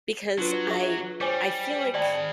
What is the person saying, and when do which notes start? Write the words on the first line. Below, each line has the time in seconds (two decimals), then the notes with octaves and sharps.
Because I I feel like
0.38 F#3 D4 F4 B4
0.67 G#4 E5
1.21 G3 C5 C#5 G#5 D6
1.95 G#4 D5 G5 A5 B5